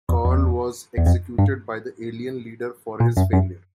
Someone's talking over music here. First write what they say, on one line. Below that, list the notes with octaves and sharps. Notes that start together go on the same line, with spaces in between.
Carl was executed by the Alien Leader for his failure.
E2
E2
E2
F2
G2
A#2
F#2
F#2